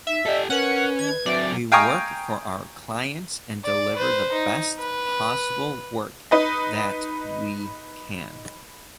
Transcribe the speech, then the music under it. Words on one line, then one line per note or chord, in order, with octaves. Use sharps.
We work for our clients and deliver the best possible work that we can.
D#4 E5
G4 A4 D5 D#5
C#4 A#4 B4 F#5
D#3 G#6
F#3 C4 D5 E5
F5 G5 G#5 A#5 C#6 D#6
D5
B4 C5
D#4
B4
D#4 B4 D#5